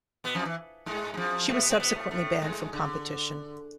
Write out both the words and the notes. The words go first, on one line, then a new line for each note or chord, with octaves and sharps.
She was subsequently banned from competition.
B2 B3
F2 F3
E3
G#2 G#3
G#3
F2 F3
A2 A3
B2 B3
C3 C4
B2 B3
A2 A3
A2 A3
G#2 G#3
D3